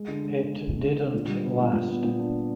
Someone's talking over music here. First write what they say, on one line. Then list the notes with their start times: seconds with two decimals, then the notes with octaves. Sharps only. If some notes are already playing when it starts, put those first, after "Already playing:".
It didn't last.
Already playing: G#3
0.08 D3
0.24 G#3
0.38 D3
0.54 D3
0.69 D3
0.83 D3
0.99 D3
1.14 A#2
1.28 G3
1.44 B3
1.59 A#2
1.73 A#2
1.88 B3
2.04 A#2
2.19 D4